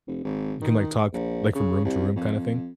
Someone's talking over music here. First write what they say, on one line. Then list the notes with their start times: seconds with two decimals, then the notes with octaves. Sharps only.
You can, like, talk, like, from room to room kinda thing?
0.07 F1
0.24 G#1
0.62 D#3
1.13 A#1
1.55 C#3
1.85 C2
2.16 F2